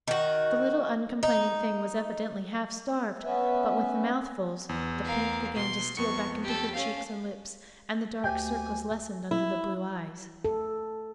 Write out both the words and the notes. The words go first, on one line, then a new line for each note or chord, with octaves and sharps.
The little uncomplaining thing was evidently half starved, but with the mouthfuls the pink began to steal back into her cheeks and lips, and the dark circles lessened under the blue eyes.
D#3 F#4
D#4
B3 C#4 B4 E5
E2
A#4 F5
B2 C6
F2 B3 C#6 C#7
G4 A4
C#4 F5
D2 G4 G5 G#5
E4
A4